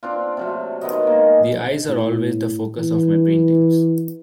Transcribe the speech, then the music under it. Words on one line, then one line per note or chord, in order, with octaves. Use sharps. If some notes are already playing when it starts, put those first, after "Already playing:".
The eyes are always the focus of my paintings.
C4 D4 F4
C3 F#3 A3
D#3 B3 D#5
G#3 A#3
A2
E3